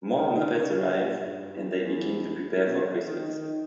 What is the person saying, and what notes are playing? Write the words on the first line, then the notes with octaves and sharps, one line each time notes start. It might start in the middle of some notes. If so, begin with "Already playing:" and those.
More Muppets arrive, and they begin to prepare for Christmas.
D#3
D#3
C#3
C#3
A#2
G2
G2
E2
E2
B2
D#3
D#3